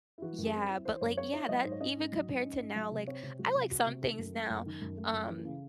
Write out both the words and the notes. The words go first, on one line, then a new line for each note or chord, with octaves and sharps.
Yeah, but, like yeah that even compared to now, like, I like some things now, um,
E4
E3 F#4
F#2
G#4
C4
E4
E3 C5
F#2 C#5
C4 C#5
E4 C#5
F#3 D#5
G#2 C5
C#5
C#4 D#5
G#2
F#3
G#2
C#4
G#2
F#3 E5
C3
C4 C#5
C3
F#3 F#4
C3
C4 F#4
C3
D#3 A4
F#2
A3
F#2
D#3
F#2
A3
F#2
E3
C#3